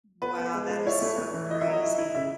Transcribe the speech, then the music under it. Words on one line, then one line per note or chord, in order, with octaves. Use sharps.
Wow. That is so crazy.
B3 B4
B3
G#3
G#3
E4 C#5
A3
A3
E3
E4 D#5
E5
F#3
D#5
E4
E4
C#3 E5